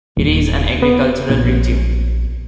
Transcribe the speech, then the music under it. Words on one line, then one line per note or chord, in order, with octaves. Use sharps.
It is an agricultural region.
D#1
B3
A#1